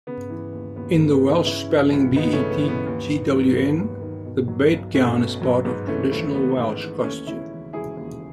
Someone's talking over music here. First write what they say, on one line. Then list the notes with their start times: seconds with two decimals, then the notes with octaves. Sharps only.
In the Welsh spelling "betgwn", the bedgown is part of traditional Welsh costume.
0.07 C#3 B3
0.30 E3
0.53 D#2
0.76 D#2 B3
0.94 A3
0.99 C#3
1.12 B3
1.23 E3
1.28 B3 D#4
1.46 C#3 C#4 E4
1.70 E3
1.93 C#2
2.16 C#2 B3 D#4
2.33 A3 C#4
2.39 C#3
2.51 B3
2.63 E3
2.68 B3
2.86 D#2 B3
3.08 D#3
3.32 F#3
3.55 E1 B3
3.79 D#2
4.01 D#3
4.25 B2
4.48 F#3
4.72 B1
4.94 B1 A3 C#4
5.18 B2
5.42 F#3
5.65 G#2 B3
5.87 E3 A3 C#4
6.11 G#1 A3
6.34 G#1 B3
6.57 G#2
6.80 E3
7.04 D#2 A3 C#4
7.27 C#3 C#4 E4
7.50 E1
7.73 E1 E4 G#4
7.97 D#2